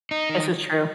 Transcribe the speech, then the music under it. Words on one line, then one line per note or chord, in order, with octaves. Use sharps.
This is true.
D#4
D#3